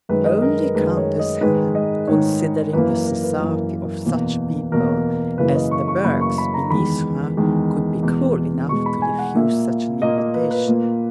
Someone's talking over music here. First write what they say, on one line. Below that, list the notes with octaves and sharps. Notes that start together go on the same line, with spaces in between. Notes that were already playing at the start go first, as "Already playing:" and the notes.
Only Countess Helene, considering the society of such people as the Bergs beneath her, could be cruel enough to refuse such an invitation.
F#2 D#3 G#3 B4
D#5
A#4
B4
F#2 D#3 G#3 B4
C#5
D#5
G#2 D#3 G#3 B4
D#5
G#2 D#3 G#3 C#5
F#2 E3 A#3 B4
B4
A#4
B4
F#2 E3 A#3
E2 B2 A#3
E2 B2 A#3 A#4
F#2 C#3 E3 A#3 B4
D#5
C#6
C#6
F#2 C#3 E3 A#3 B5
C#6
B5
A#5
E2 D#3 G#3 B5
E2 D#3 G#3
E2 B2 G#3
E2 B2 G#3 C#6
B5
G#5
F#5
A#2 A#3 E5
A#2 A#3 D#5
D#5
B4
B4
A#2 A#3